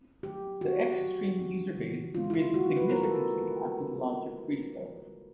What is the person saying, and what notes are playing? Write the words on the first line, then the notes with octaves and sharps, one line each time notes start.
The X-Stream user base increased significantly after the launch of Freeserve.
D#3 F#3 A3 G4
D#3 F#3 A3 F#4
D#3 F#3 A3
D#3 F#3 A3
C#3 E3 G#3
C#3 E3 G#3 F4
E4
F4
D#3 G3 A#3 F#4
B4
D#3 G3 A#3 A#4
A4